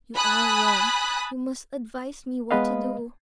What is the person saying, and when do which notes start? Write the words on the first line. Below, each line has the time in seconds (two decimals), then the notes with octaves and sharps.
"You are wrong; you must advise me what to do."
0.16 G#5 A5 B5 D#6 F#6
2.51 G#3 B3 B4 D#5 F5